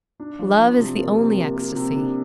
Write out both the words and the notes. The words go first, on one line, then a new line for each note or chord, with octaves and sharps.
Love is the only ecstasy.
D4
F3
F3
C3
A#3
C3
A#3
A#3
C3
D4